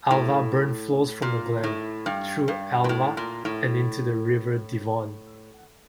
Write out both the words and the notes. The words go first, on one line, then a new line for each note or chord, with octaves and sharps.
Alva Burn flows from the glen, through Alva, and into the River Devon.
A2
A#2
A2
G2
G2
A#2
A2
A#2
A2